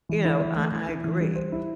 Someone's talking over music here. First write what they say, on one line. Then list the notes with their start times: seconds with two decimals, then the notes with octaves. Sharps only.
you know, I I agree,
0.09 E3
0.25 E4
0.41 E3
0.56 A3
0.72 E3
0.88 E4
1.04 E3
1.20 G3
1.35 C5
1.52 E4